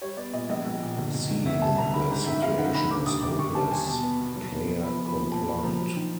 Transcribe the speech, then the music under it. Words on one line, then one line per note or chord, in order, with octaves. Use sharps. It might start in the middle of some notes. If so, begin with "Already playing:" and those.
Seeing the situation as hopeless, Pleyer complied.
G3 C#5
B3 D5
A#2 D#5
A#1 D#5
A#1
A#2
G1
G1
G1
G1 E5
G2 A5
G1 A#5
G#2 B5
G#2 A#5
D#3 E5
G#2 F5
D#3 F#5
D#3 B5
D3 D6
D#2 D#6
D#2 D6
D#2 C#6
G3 A5
D#2 G#5
B2 A5
B3
B2
F#3
B2
B3
F3 B5
F3
B5
F3
A#2 A5
A#3 B5
F3 A#5
F#3
D#3